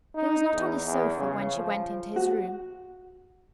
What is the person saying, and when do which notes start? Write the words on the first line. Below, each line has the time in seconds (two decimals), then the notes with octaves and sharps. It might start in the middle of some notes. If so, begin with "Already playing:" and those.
He was not on his sofa when she went into his room.
0.15 D#4
0.54 E2
0.85 E2
1.18 C#3
1.56 F3
2.16 F#4